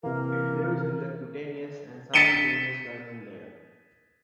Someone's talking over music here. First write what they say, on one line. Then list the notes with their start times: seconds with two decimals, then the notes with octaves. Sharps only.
It lives in the cutaneous and subcutaneous dermal layer.
0.04 C3 E3 A#3 A#4
2.14 A6 B6 C#7 D#7 E7 G7